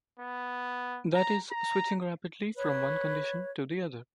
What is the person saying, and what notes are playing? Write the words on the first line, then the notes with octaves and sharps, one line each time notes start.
That is, switching rapidly from one condition to the other.
B3
A#5
A#5
B4 C#5